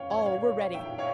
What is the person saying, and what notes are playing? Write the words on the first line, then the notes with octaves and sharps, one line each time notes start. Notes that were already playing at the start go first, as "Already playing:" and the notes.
All were ready.
Already playing: F2 A#3 C#4 C#5 F5 G5
C#5
C#5 F5
E5 G5
C#5 F5